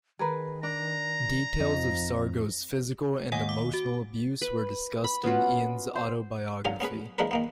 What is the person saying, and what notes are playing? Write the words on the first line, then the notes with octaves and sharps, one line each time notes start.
Details of Sargo's physical and emotional abuse were discussed in Ian's autobiography.
D#3 G#4 A#4 B4
D4 A#5
F2 F3 D#4
D#2 D#5 F#5 G#5
D6
F#4
B4
B5
B3 C#4 F4 F#4
C5
G2 D3 F#3 F4 G#5
B3 C#4 G#4 B4
E3 F3 G#3 D4 A#4 B4
D#3 A#3 B3